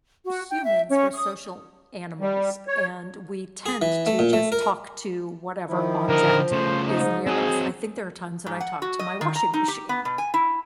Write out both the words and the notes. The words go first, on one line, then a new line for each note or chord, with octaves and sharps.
humans, we're social animals, and, we tend to just talk to whatever object is near us. I think there are times when I talk to my washing machine,
F#4
G5
E5
C#4
D#6
G3
C#5
G#4
E3
A3
A#2
A3
A#4
D#3 F3 E4
D3 A#4 D#5
C#3 A3 C5
G#2 D#4
F#3 C4 G#4 D#5
G#2
F#5
F#4
D#5
D#3
A#5
D#4
G4
B3
B2
G#5
E4